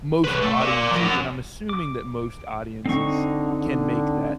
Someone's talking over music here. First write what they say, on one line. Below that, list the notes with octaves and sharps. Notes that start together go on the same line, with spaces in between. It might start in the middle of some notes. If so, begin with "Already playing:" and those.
most audiences and I'm assuming that most audiences can make that
C2 B4
A3
A#4 D5
F3 A#4
C#4 F#5
D6
D3 C4 D#4 C#6
D3